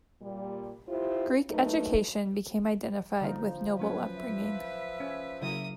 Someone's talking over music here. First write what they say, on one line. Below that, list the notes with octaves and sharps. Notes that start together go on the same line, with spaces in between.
Greek education became identified with noble upbringing.
A#2 G3
E4 F4 G4 C5
F#3 A3 A#3 D#4 B4
D3 F3 A#3 D#4
F#3 C#4 B4
E5
C#4
C#3 F#3 A#3 E4 D#6